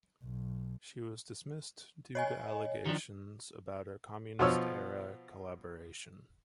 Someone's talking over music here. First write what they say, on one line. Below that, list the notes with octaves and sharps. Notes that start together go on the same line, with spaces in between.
She was dismissed due to allegations about her communist-era collaboration.
B1
C#5 D#5 G#5
D#3 F3 D4
B2 F3 C#5 E6 F6